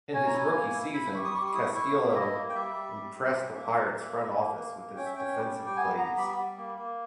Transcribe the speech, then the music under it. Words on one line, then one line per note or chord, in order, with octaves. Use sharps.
In his rookie season, Castillo impressed the Pirates front office with his defensive plays.
C#4 G#5
A#5
E4 G#5
A#3
E4
E4 B5
G3 C#6
D#6
G3 C#6
C#6
E4 D#6
E4 C#6
A#3
E5
E4 D#5
A#3
G5
G3 E5
G3
G3
G3
C#4
A#3
A#3
A#3
E4
A#3
A#3
A#3
C#4 G5
E5
C#4 G5
G3
G3
G5
B3 G#5
B3 A#5
G3 B5
G3
A#3
A#3